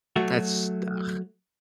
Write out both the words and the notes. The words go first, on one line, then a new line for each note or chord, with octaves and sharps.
That's ugh.
F#3 A3 F#4